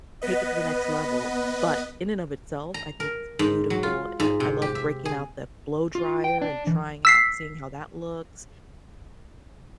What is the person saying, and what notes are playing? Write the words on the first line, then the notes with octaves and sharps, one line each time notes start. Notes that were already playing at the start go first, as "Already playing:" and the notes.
take it to the next level, but in and of itself, I think it's beautiful. I I love breaking out the blow dryer and trying out seeing how that looks.
B3 B4 D#5
A#5
A#4
G#2
F#3
F4
G#2
C3
G4
E5
G#4
F4
G5
D4
E3
E6 B6 C7